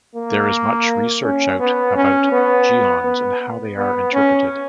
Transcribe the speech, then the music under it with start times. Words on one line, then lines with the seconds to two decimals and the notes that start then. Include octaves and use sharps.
There is much research out about geons and how they are interpreted.
0.15 A#3
1.23 C#4
1.60 B3
1.96 C#4
2.32 B3
3.04 B3
3.77 B3
4.13 C#4